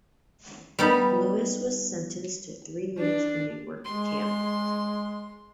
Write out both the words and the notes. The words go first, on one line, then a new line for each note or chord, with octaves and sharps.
Lewis was sentenced to three years in a work camp.
G3 B3 D#4
D4
G#3 C6